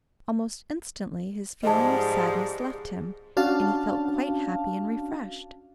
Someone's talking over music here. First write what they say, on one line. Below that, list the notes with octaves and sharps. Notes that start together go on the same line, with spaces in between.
Almost instantly his feeling of sadness left him, and he felt quite happy and refreshed.
G#2 F3 G3 G#4 D#5 A5
C#4 D4 F#4 F5 A5